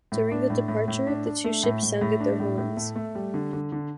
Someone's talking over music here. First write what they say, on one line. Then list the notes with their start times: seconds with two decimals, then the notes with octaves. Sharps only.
During the departure, the two ships sounded their horns.
0.12 A2
0.31 D4
0.50 A2
0.68 A2
0.88 A2
1.07 D4
1.26 D4
1.44 A3
1.63 A2
1.83 A2
2.01 A2
2.20 D4
2.40 A2
2.58 A2
2.77 A3
2.96 A3
3.15 G3
3.34 D3
3.53 D3
3.72 D3